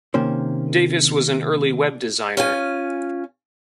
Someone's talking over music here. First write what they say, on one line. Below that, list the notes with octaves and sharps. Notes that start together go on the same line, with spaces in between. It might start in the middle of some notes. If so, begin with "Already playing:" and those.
Davis was an early web designer.
C3 D#3 A#3 C#4 C5
C#4 F4 G#5